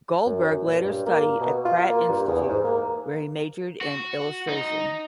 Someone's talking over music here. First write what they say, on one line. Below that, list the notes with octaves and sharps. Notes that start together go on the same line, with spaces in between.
Goldberg later studied at Pratt Institute, where he majored in illustration.
F#2
F#2
A#2
G2
A#3
B2
F4
A#3
G2
E2
G#2
A#3
F#4
D#4